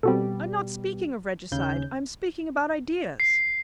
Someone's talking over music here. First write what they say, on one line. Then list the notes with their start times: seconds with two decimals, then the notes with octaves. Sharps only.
"I am not speaking of regicide, I am speaking about ideas."
0.03 B2 G3 C4 F#4 A4
1.52 D#2 C#3 G6
3.20 C7